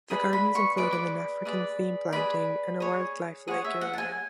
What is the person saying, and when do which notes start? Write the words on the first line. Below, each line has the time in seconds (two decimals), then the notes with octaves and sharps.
The gardens included an African theme planting and a wildlife lake area.
0.10 G#4 B4 D5 B5
0.33 B5
0.55 C#6
0.77 G#4 B4 D5 D6
0.93 D6
1.45 G#4 B4 D5
2.12 G#4 B4 D5 B5
2.80 G#4 C#5
3.48 G#4 C#5 F#5
3.64 E5
3.81 F#5
3.93 A5
3.98 G#5